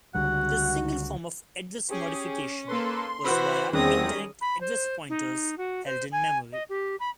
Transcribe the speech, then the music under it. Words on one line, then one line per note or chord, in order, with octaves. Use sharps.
The single form of address modification was via indirect address pointers held in memory.
C#2 D3 G3 F#4 F#5
C#4 G4 G#4
A#3 A4 B4 C6
E3 F#4 C5 B5
E2 D#3 G3 C4 C#4 G#4 D#6 A#6
B5
C5
D#4
F#4
C5
G#5
D#5
G4
B5